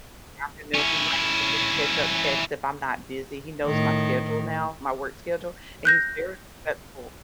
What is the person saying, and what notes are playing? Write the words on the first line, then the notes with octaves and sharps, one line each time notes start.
the afternoon we might do a little catch-up text if I'm not busy, he knows my schedule now, my work schedule, and he's very respectful.
C#4 E4
A2 D#3
F#6 G6 A#6